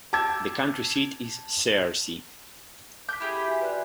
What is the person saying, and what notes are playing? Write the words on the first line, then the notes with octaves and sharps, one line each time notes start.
The county seat is Searcy.
A5 D6 E6 G6 G#6
D6 G6 B6
E4 G4 G#4
F#4 G#5
B4 D5 F#6